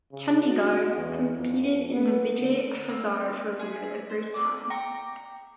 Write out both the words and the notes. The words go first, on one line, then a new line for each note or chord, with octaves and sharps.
Chandigarh competed in the Vijay Hazare Trophy for the first time.
C#3
F#4
E2
F2
B3
D3
C4 F5
G#4 E5
C5
B3 C4 D5 D6
G5 A#5 C#6